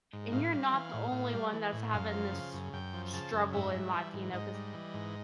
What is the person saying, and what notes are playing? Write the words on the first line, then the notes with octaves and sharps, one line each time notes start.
and you're not the only one that's having this struggle in life, you know, 'cause
G#2
A2 F5
G3
E3
A2
A2
G3
E3
A2
F#2 F5
F3
C#3
F#2
F#2 G5
F3
C#3 A5
F#2
G#2 E5
G3
E3
G#2
G#2 D#5
G3
E3
G#2